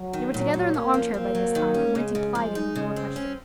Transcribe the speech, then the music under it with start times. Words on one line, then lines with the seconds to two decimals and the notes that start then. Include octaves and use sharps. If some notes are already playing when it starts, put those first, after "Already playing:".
They were together in the armchair by this time, and Wendy plied him with more questions.
Already playing: F#3
0.13 D#3
0.33 A#2 F#3
0.54 A#2
0.74 A#3 C#4
0.94 F3
1.14 A#3 C4
1.35 F#3
1.55 D#3
1.74 C#4
1.95 C#3 G#3
2.15 C#3
2.35 F3 G#3
2.55 D#4
2.76 C#3
2.96 C4
3.16 C#4